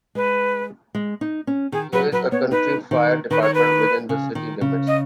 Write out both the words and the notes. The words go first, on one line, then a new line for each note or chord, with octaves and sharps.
There is a county fire department within the city limits.
G#3 B4
G#3
D#4
C#4
D#3 G#4
F#3 B4
F#3 B4
B3 C#5
D#4 B4
D#3
D#3 B4
C#5
B4
C#3
D#3
C#3
D#5